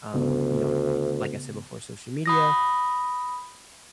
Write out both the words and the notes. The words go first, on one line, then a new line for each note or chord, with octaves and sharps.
um, you know, like I said before, social media.
D2 C#3 B3
B5 D#6 A#6